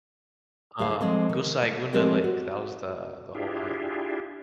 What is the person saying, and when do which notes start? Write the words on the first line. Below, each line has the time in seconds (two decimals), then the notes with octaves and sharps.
um, Gosaikunda Lake, that was the, the whole hike,
0.79 D2 A2 G#4 B4 E5 F5
1.00 F3 G#3 C4 A4
1.29 D#3
1.63 A3
1.93 F3 G#3 C4 D4 G4 A#4
2.24 F#4
3.35 D4 E4 F4 G4 G#4